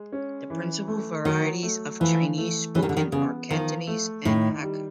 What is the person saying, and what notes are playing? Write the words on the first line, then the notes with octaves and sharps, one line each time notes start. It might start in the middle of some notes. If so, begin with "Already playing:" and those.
The principal varieties of Chinese spoken are Cantonese and Hakka.
Already playing: G#3
C#4
E3
A3
D#3 F#3
A3
E3 F3
A3
E3 G3
D#3
D3
D#3
C#3 B3
D#3 F3
A3
A2 D#3
G3